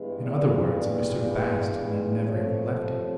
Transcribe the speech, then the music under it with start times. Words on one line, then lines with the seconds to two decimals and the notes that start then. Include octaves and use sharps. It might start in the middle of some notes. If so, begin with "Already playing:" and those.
"In other words, Mr. Bast need never have left it."
Already playing: G2 E3 G#3 B3
0.21 D5
0.50 D5
2.28 C3 F3 A3 C4 C#5